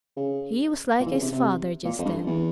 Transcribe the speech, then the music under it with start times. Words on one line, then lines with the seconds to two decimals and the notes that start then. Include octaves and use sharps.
He was like his father just then.
0.17 C#3
1.00 A#2
1.06 E3
1.11 C#3
1.21 C3
1.32 C3
1.85 A#2
1.99 F2
2.05 G2
2.26 E2